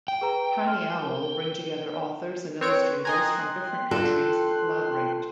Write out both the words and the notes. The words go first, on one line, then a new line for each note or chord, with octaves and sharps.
Tiny Owl bring together authors and illustrators from different countries to collaborate.
G5
G#4 B4 A#5
C6 F6
A#4
C4 B4 C#5 D7
D#5 G5 G#5 A#5 C6 F#6 G#6
D3 F4 A4